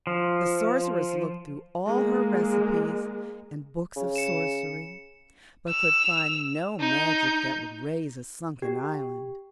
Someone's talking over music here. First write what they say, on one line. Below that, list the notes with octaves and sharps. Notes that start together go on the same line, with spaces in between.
The Sorceress looked through all her recipes and books of sorcery, but could find no magic that would raise a sunken island.
F3
G#3 A#3
C#3
C#7 E7
E6 F7
D#4 G6
G4